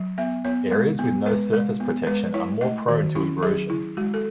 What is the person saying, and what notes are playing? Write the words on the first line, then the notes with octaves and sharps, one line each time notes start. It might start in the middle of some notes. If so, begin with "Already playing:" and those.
Areas with no surface protection are more prone to erosion.
Already playing: F#3
B3 E5
B3 C#5
G#3
B3
G#3 B4
G#3
B3
G#3 B4
E4 C#5
A3 D#5
D#3 F#4
C#4 E4
F#3 G#4
E4
G#3 F#4
A4